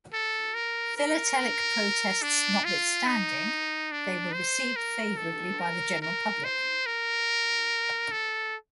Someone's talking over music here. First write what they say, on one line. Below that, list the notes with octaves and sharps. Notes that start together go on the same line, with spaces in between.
Philatelic protests notwithstanding, they were received favorably by the general public.
A4
A#4
A#4
D4
F4
D#4
D4
C5
A#4
A4
A#4
A#4
C5
A#4
A4